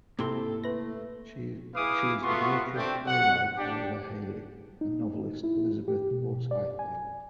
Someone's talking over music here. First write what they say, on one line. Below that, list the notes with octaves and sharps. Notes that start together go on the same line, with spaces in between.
She is the daughter of playwright Oliver Hailey and novelist Elizabeth Forsythe Hailey.
G#2 C3 A#3 C4 E4 A4 C6
A3 B4 A#6
E4 G#4 B4 F5 D6 D#6
A3 B3 F4 F#4 C6 C#6
A3 C4 D4 G5
F#5
D4 G4
D#4
E4
G4
B2
D5
G#5